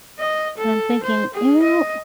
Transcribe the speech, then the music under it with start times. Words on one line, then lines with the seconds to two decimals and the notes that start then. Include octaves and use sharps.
and I'm thinking, "Ew!"
0.19 D#5
0.58 A4
1.03 C5
1.34 G#4
1.63 D#5